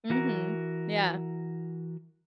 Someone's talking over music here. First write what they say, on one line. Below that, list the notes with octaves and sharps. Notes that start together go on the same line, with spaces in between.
Mhm, yeah.
E3 F#4 A#4